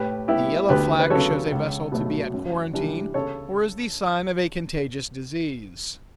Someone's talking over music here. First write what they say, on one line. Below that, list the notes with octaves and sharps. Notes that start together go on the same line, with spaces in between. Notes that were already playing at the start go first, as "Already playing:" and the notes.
The yellow flag shows a vessel to be at quarantine or is the sign of a contagious disease.
Already playing: A2 G4 B4
G3 B3 E4 G4
D2 G4 B4
B4
C#3 F#3 A4 C#5
C#2
B2 F#3 A3
F#2
E3 G3 D4
C#3 A4 C#5